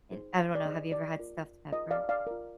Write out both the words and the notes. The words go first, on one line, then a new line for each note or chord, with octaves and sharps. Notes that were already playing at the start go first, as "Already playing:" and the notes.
and I don't know, have you ever had stuffed pepper?
D#4 G#4 C5
D5
D#4 G#4 C5 D#5
D5
F4 A#4
F4 A#4 D#5
D5 F5
D5 F5
F4 A#4